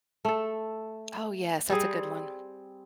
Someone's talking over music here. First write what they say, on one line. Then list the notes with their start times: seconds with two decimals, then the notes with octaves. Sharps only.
Oh, yes, that's a good one.
0.25 A3 A4
1.70 G3 C4 G#4